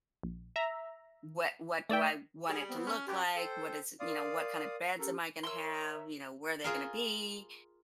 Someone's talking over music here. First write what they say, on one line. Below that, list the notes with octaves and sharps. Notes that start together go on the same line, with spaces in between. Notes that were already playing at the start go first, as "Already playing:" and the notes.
"What what do I want it to look like? What is you know, what kind of beds am I going to have, you know, where are they going to be?
A#1
E5 A#5
A3 D5 E5 G5
G3 G#4
B3 C4
C#4
F#2 G4
A4 C5 G5
A#4 D5 F5 C6 D#6
C#4 G4 A4 A#4
A#4 C#5 E5 C6 E6
F4 G#4 A#4